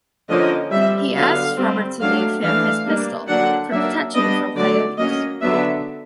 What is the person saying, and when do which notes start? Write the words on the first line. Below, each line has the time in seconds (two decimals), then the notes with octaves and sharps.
He asks Robert to leave him his pistol, for protection from coyotes.
0.29 D3 F3 A#3 C#4 D#5
0.71 G3 C4 E5
1.14 D3 F#3 B3 F5
1.57 G3 C4
2.00 F#3 A3 D4 F5
2.42 E3 A3 D4 F5
2.86 G3 A#3 D4
3.27 D3 F#3 A#3 D4 F#5
3.71 F#3 A#3 D4 E5
4.13 G3 B3 D4 D#5
4.56 D3 F#3 A3 D5
4.98 F#3 A#3 C#4 D#5
5.41 D3 F#3 B3 D4 E5